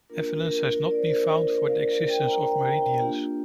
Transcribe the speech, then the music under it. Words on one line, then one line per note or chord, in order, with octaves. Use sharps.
Evidence has not been found for the existence of meridians.
A#3 D4 F4 A#4
A#4
A#4
D5
C5
A#4
A#4
A#4
F5
D5
F5
G5
A#5
G5
G5
G5
A#3 D4 F4 G4